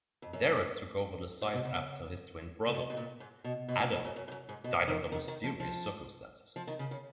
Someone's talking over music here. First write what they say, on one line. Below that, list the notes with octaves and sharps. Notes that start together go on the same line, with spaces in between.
Derek took over the site after his twin brother, Adam, died under mysterious circumstances.
F2
F#2
A#2
B2
C#3
C#3
B2
B2
A#2
G#2
B2
B2
A#2
F2
F#2
F#2
G#2
F#2
G#2
B2
D#3
D#3
D#3
F3
F3
F3
D#3
C#3
C#3